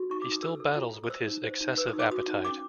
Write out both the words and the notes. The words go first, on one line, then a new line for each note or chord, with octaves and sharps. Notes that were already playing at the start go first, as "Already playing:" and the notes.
He still battles with his excessive appetite.
Already playing: F#4
D#4 C#6
D#4 D6
D#6
A4 E6
A4
F4
A4
D#6
C5 E6
D#4
C5
D#4
B4 E6
D#6
D#4
D6
F#4 D#6
D#4
C#4 D6